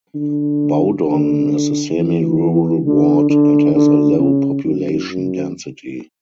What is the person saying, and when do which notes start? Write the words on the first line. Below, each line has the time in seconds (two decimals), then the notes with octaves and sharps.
Bowdon is a semi-rural ward and has a low population density.
0.15 D3
1.05 D3
1.95 E3
2.40 E3
2.85 D3
3.30 D3
3.74 D3
4.19 C#3
4.64 F#2
5.10 F#2